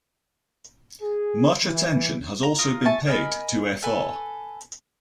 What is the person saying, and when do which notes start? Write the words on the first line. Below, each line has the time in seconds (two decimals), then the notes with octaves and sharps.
Much attention has also been paid to fr.
1.01 G#4
1.62 E3
2.43 A#5
2.58 F4 A#4 D#6
2.86 E5 G#5 A5 C#6
3.07 A#4 D#5 G#5 B5
3.83 A4 B4 G#5